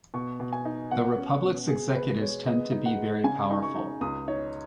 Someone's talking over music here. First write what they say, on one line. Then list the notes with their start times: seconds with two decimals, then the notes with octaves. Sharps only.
The republics' executives tend to be very powerful.
0.14 B2 C#6
0.40 B2
0.53 G#5
0.65 D#4
0.91 B2 F#5
1.17 C#4
1.43 B2
1.68 B2 G#4
1.95 B2 B4
2.21 G#3 C#5
2.46 B3 D#5
2.72 D#4
2.86 F#5
2.98 G#3
3.24 C#3 G#5
3.50 D#4
3.63 C#6
3.75 D#4
4.01 C#2 D#6
4.28 D#4 C#5